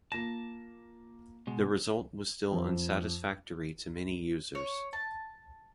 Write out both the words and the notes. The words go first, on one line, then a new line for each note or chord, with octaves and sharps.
The result was still unsatisfactory to many users.
A#3 F4 A5 A#6
B2 G#3
F2
C#5
A5